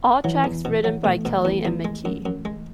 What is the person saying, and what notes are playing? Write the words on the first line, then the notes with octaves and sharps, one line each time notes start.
All tracks written by Kelly and McKee.
E3 F#3
E2
B2
F#3
B2 A3
B2
E2
E2
G#3
F#2
F#2
G#3